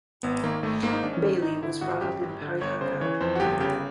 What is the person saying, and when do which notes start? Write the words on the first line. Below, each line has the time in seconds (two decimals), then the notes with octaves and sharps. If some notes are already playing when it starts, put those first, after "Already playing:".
Bailey was brought up in Parihaka.
0.23 G#1 B3
0.43 D#3 A#3
0.63 G#1 A3
0.83 G#2 A#3
0.93 D#4
1.03 G#1 D4
1.13 C#4
1.22 D#3
1.42 G#1 D#4
1.62 D3 E4
1.81 G#1 F#4
2.01 F#2 G4
2.21 G#1
2.41 D3
2.61 G1 C#5
2.81 C#3 C5
3.01 E3 C#5
3.21 F2 C5
3.35 F#4
3.40 G1 G4
3.60 C#3 G4